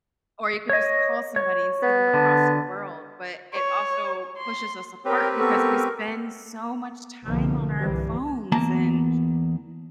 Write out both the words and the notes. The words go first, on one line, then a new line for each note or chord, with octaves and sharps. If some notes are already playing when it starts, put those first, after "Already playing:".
or you could just call somebody, and see them across the world, but it also pushes us apart, because we spend so much time on our phones, and
C#5 D#5
C#5
B3
D3
C#5
C6
C4 G4 A#4 B4 C#5 G5
B3 A4 A#4 C#6
C2 B2 D3 E3 F3 A#3
C2 G2 E3 G3 C4
E2 A#3 A5 A#5